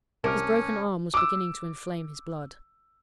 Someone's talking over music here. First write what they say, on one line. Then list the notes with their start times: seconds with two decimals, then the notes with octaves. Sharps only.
His broken arm was beginning to inflame his blood.
0.24 C2 C#4 A#4 A5 D6 F6
1.14 D6 E6